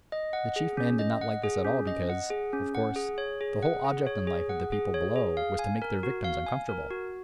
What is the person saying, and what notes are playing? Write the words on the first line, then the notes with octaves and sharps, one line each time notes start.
The Chief Man did not like this at all, because, of course, the whole object in life of the people Below was to make their victims uncomfortable.
D#5
F#5
G#4
C#4
D#5
F#5
G#4
C#4
D#5
F#5
G#4
C#4
F#5
G#4
C#5
G#4
F#5
G#4
C#5
G#4
F#5
G#4
C#5
G#4
F5
G#5
A#4
F#4
F5
G#5
A#4
F#4